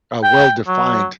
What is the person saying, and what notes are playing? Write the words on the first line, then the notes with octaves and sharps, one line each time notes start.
uh, well-defined,
G5
F#3